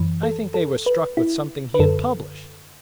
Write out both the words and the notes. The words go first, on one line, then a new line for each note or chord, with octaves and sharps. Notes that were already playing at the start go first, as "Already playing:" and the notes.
"I think they were struck with something he had published."
Already playing: F#2 E3
A4
A4
B4
E4
B4
F#2 D3 A4